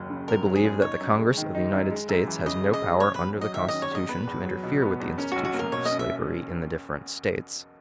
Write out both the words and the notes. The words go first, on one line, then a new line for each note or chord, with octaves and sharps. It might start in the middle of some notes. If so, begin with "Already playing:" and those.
They believe that the Congress of the United States has no power under the Constitution to interfere with the institution of slavery in the different States.
Already playing: F#1 D#2 F#3
C#3
E2 A#4
F#3
G#4
F#1
D#4 C#5
F#2
G#3
D#3
D#4
F#2
G#3
F#2
E3
C#3 D#5
G#3
D#5
F#2
C#4 C#5
E2 B4
F#3 D#5
D#3 E5
C#4 D#5
C#5
E2 D#5
B3 B4
E2
F#3
B2
B3
E2
C#4 A#4
F#4
B1
F#4
A#3 A#4
B2 C#5
D#5
C#4
E5